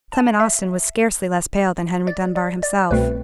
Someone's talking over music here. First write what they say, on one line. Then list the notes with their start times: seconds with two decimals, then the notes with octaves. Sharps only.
Clement Austin was scarcely less pale than Henry Dunbar himself.
0.12 A5
0.40 E5
2.07 D5
2.36 D5
2.63 D5
2.91 C2 B2 A3 C4 B4